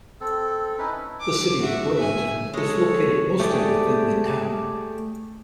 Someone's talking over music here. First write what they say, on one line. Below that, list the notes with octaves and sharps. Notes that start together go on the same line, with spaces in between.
The City of Burlington is located mostly within the town.
C4 A4
C#4 D#4 E4 B4
D6
F#4 E5
E5 G#5
G#3 A4 C#5
A3 G4 G#4 D5